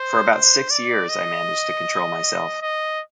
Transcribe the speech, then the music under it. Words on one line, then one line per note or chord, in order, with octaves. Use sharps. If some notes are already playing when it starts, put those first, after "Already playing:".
For about six years I managed to control myself.
Already playing: C5
C5
D5
D#5
D#5